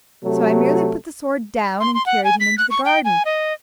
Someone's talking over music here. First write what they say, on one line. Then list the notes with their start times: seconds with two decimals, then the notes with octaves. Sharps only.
So I merely put the sword down and carried him into the garden.
0.23 C3 F#3 A3
1.80 C6
1.94 C6
2.06 F#5
2.24 G#5
2.40 B6
2.58 F#6
2.71 C#6
2.85 G5
3.05 G#5
3.25 D#5